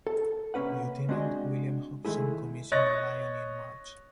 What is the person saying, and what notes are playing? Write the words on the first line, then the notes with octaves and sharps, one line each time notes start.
Lieutenant William Hobson commissioned "Lion" in March.
A4
C3 A#3 C4 C#4 B4 F#5
G#3 C4 D4 F#4 D#5 G#5
D#3 G#3 A3 E4 G#4
C#5 D#5 C#6 F#6 A6 A#6